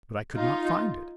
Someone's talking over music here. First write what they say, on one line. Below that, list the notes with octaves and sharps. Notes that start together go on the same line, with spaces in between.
But I could not find it.
D#4 F4